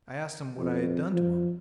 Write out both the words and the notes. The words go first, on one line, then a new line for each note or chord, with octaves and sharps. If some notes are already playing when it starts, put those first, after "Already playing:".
I asked him what I had done to him.
F2
F3